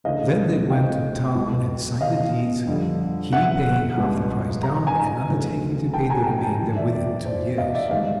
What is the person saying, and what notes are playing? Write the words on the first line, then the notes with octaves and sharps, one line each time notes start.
Then they went to town and signed the deeds; he paying half the price down, and undertaking to pay the remainder within two years.
D2 C#3 E3 D#5 F5
F5 G5
C#2 B2 F#3
D#5 F5
F2 D3 G3
E5 F#5
C#2 B2 G3
A#5
G#5 A#5
D2 C#3 F#3
G5 A5
G#5 A#5
G5 A5
G#5
G5 A5
E2 B2 F#3
D5 E5
D5 E5
C5 D5
D#5 F5
D5 E5
G#2 D#3 G3 D#5 F5